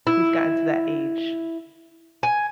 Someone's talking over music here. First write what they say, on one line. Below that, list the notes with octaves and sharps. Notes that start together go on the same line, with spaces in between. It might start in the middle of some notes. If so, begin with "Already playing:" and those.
He's gotten to that age.
E4
G#5